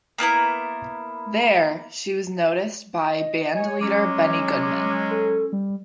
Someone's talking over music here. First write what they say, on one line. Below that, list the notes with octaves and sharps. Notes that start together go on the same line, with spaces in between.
There, she was noticed by bandleader Benny Goodman.
A#3 B3 E4 A#4
D#5
C#5 G#5
F#3 G#3 C#4 D6
D6
A4
G3